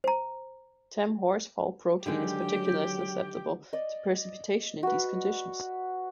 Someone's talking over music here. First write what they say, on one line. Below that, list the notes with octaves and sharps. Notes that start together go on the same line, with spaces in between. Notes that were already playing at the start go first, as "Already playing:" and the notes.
Tamm-Horsfall protein is particularly susceptible to precipitation in these conditions.
C5 A#5
D3 D#3 F#3 G#3 G4 G5
D5 D#5
F#4 B4